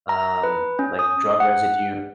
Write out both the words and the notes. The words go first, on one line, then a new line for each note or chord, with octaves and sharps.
um, like drug residue.
A#5
B4
C#4
D#6
F#5